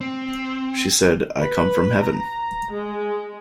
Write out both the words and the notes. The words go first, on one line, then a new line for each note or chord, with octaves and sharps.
She said: "I come from Heaven".
C4
B4
A#5
G#3